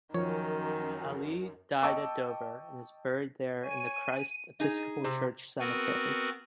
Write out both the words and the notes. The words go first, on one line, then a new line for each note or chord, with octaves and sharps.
Allee died at Dover and is buried there in the Christ Episcopal Church Cemetery.
F#2 D#3 F3 C#5
D#5 G5 A5 C#6 D6 E6
C#5 G#5 D#7
D#4 G#4
C3
B3 C4 F#4 A#4 B4